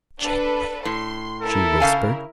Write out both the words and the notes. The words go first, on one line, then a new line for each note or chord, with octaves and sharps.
"Gently ..." she whispered.
D4 A4 B4
A2 C6
E4 A4 A#4
C#3 F5 G#5